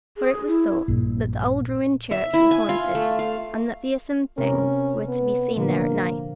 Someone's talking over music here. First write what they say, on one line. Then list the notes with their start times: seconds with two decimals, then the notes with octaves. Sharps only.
For it was thought that the old ruined church was haunted, and that fearsome things were to be seen there at night.
0.18 G#4
0.48 E4
0.88 A#1 G2 A#2
2.11 E5
2.34 E4
2.51 G#5
2.69 F4
2.95 A3
3.19 F5
4.38 C3 C4 C#4 A#4
5.08 B3
5.56 A#2 D3 F3 A#3